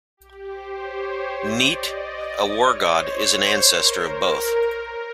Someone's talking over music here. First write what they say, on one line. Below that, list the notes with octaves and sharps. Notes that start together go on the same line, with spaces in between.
Neit, a war god, is an ancestor of both.
G4
C5
C#5
D5
D#5
C#5
C5
C5
C5
A#4
A#4